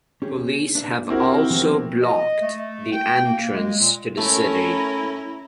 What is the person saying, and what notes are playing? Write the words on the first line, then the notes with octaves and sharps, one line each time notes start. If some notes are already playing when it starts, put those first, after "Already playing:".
Police have also blocked the entrance to the city.
C#4 G4 G#4
D4 B4 E5
C4 E4 F#4 G4 A#4
F3 B3 C#5
D#5
A3
G5
A#3
G#3
A#2
A3 C#4 E4 A#4